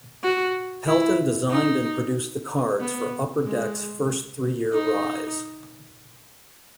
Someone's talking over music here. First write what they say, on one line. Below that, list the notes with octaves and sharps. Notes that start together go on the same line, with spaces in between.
Pelton designed and produced the cards for Upper Decks first three-year rise.
F#4
E4
D#4
B3
G#3
D#4